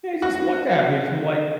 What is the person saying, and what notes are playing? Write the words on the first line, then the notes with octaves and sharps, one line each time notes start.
Yeah, he just looked at me from, like,
F#4